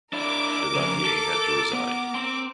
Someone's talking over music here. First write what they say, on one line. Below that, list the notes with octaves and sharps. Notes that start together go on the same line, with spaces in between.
Daladier had to resign.
D4 E4 A#4 D6
F2 C#3
A4
B3
C4 C6